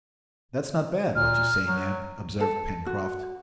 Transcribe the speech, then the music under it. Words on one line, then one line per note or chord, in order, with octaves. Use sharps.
"That's not bad, what you say, Neb," observed Pencroft.
A#2 F6
F#3
A4
F#4